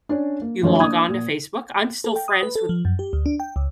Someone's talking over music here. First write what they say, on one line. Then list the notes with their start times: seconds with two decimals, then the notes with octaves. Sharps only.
you log on to Facebook I'm still friends with
0.09 C#4 D4
0.42 A#3
0.62 D#3 F3 F#3 A3 C#4 D#4
0.80 A#3 D4 D#6 G#6
1.09 A#2
2.04 A4
2.16 G5
2.28 D#6
2.43 B4
2.55 A4
2.69 F3
2.85 F#2
2.99 G4
3.13 D2
3.26 D4
3.40 G5
3.56 C#2